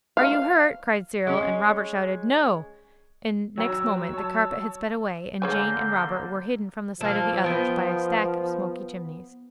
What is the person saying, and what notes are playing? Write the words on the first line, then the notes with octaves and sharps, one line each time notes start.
'Are you hurt?' cried Cyril, and Robert shouted 'No,' and next moment the carpet had sped away, and Jane and Robert were hidden from the sight of the others by a stack of smoky chimneys.
F5
G#3 C#4
F#3 C#5 G5 A#5 E6
C#5 A5
D3 A#3 G#4 C#5 G#5 G6
F3 A#3 A4
B3 G5